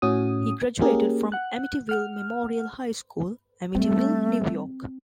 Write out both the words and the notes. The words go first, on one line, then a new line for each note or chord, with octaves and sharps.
He graduated from Amityville Memorial High School, Amityville, New York.
A2 C#4 F#4 D#6
A#3 C#4 G4 G#4 A#4
F#5 F#6
F#5 F6
G3 A3 C4